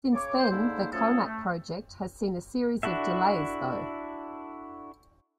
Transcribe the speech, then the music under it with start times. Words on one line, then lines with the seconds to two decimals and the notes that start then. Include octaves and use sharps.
Since then, the Comac project has seen a series of delays, though.
0.13 C#3 C#5 D6
0.38 C5
0.51 D3 G#3 A#3 D#4 E4 C5
0.92 F3 F#3 A3 C#4 G#4 A4
1.25 A3
2.83 D4 E4 F#4 A4 E5